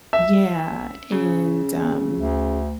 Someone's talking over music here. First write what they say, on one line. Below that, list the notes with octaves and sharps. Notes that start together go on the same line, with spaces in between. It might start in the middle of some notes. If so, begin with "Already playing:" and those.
yeah, and, um,
E5
C#3
D2